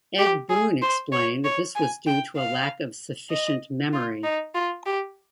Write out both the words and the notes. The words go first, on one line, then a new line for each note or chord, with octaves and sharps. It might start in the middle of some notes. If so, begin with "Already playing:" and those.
Ed Boon explained this was due to a lack of sufficient memory.
G4
G#4
C5
C#5
C#5
G#5
G5
F5
D#5
F4
D#4
F4
G4